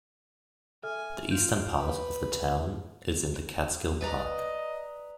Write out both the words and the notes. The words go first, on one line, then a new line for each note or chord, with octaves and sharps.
The eastern part of the town is in the Catskill Park.
A4 E5 G#5 F6
F4 G6 D7 F7
B4
B4 D5 D#5 A#5